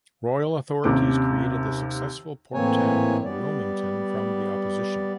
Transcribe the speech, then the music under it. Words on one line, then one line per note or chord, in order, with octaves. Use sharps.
Royal authorities created the successful port town of Wilmington from the opposition.
D#2 C3 C#4 D6
A2 E3 A#3 C4 C#5 G#5
G3 B3 D5